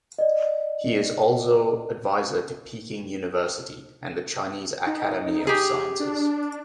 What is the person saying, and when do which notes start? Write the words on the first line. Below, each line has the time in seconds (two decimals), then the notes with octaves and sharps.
He is also advisor to Peking University and the Chinese Academy of Sciences.
0.19 D5 D#5
4.87 D#4
5.47 G4 G#4
6.00 D4